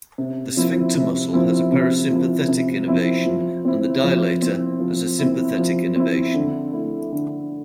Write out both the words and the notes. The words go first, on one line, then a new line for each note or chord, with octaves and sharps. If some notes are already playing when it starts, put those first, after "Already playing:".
The sphincter muscle has a parasympathetic innervation, and the dilator has a sympathetic innervation.
C3
F3 C4 E4
C3
F3 C4 E4
C3
F3 C4 E4
C3
F3 C4 E4
F3
C4 E4
F3
C4 E4
F3
C4 E4
F3
C4 E4
D3
A3 E4
D3